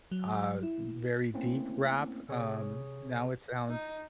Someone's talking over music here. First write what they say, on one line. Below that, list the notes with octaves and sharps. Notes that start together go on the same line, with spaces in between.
uh, very deep rap, um, now it sounds
F#3
E4
A3 A#3 C4 C#4 E4
C3 G#4 C#5 D#6
D#4